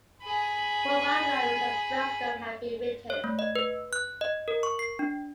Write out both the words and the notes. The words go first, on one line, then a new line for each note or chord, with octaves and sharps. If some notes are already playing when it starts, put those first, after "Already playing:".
Four biographies of Prescott have been written.
G#4 B5
C#5
A3
D#5
B4
F#6
D#5
A#4
C#6
C7
D4